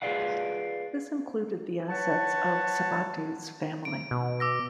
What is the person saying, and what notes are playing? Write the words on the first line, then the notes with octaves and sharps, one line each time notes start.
This included the assets of Sabates' family.
F4 G#4 B4 D5 F5 F#5
B4 C#5 F#5 A5
D7
B2
D6 E6 A#6